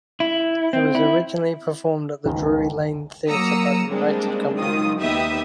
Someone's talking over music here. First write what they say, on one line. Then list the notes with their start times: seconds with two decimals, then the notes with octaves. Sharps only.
It was originally performed at the Drury Lane Theatre by the United Company.
0.20 E4
0.73 C4
0.95 E4
2.26 F#1 C#2 D#3
3.28 F#3 A#3 A#5 D#6 E6 C#7
3.88 G3 G#3 A#3 C4 D4
4.55 C#2 D#3 F#3 F4 D#6
5.00 D#2 B3 D#4 G4 E5 D#6